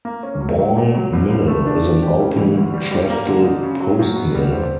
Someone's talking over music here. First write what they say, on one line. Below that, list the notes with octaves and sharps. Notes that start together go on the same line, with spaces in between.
Bourne Mill is an open trestle post mill.
A#3
C#4
F#3
F#3
A#2
F#3
C2
C2
A3
D4
F3
G4
C#3
E3
D2
G3
G3
A#3
D3
D#4
C#3
F#3
F#2
B3
G3
C4